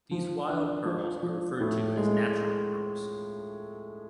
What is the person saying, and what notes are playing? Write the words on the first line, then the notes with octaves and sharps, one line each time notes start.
These wild pearls are referred to as "natural" pearls.
F3
D4
F3
F3
A2
G#3